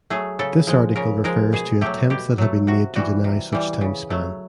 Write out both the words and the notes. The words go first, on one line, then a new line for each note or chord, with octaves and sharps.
This article refers to attempts that have been made to deny such timespan.
F#3 A3 G#4
C#3 A4
F3 G#3
C#3 A#4
F3 G#3 A#4
B2 G#4
F#3 A3 G4
B2 G4
F#3 A3
C3 F#4
E3 G3 F#4
C3
E3 G3
C#3
F#3 A3